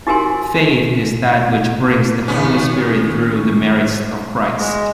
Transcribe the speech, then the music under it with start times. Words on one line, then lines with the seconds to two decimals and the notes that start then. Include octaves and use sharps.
"Faith is that which brings the Holy Spirit through the merits of Christ".
0.07 D#4 F#4 G4 A#4 G#5 C6
2.28 D#2 B3 C#4
4.58 G#3